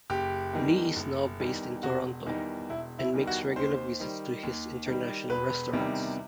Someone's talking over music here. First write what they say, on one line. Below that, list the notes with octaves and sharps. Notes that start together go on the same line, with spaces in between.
Lee is now based in Toronto, and makes regular visits to his international restaurants.
F#1 G4
E2 D#3 G3
F#1
E2 D#3 G3
E1 F#4
E2 D#3 G3 D#4
E1 E4
E4
E2 D#3 G3
F#4
D#2 C5
D#3 G3
D#2
D#3 G3
E1 B4
E2 C3 D#3 G3